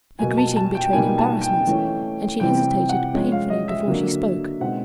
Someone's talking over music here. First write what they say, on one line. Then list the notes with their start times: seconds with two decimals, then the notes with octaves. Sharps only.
Her greeting betrayed embarrassment and she hesitated painfully before she spoke.
0.19 B2 F#3 A#3 G#5
0.37 A5
0.56 A5
0.75 G5
0.93 B2 G3 A#3 D#4 G#5
1.18 A5
1.41 G5
1.67 E3 A3 C#4
2.40 C3 E3 G3 C4 G5
2.89 F#5
3.14 F3 G#3 C#4
3.32 F5
3.50 D#5
3.68 E5
3.87 D3 F#3 A#3 D4
4.60 B2 G#3 C4 D#4 F#5